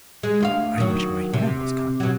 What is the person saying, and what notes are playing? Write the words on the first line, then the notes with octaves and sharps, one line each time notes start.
I wish my hair was cut!
G#3
D2 F4 F5
D#3 F#3
C3
B2 F#3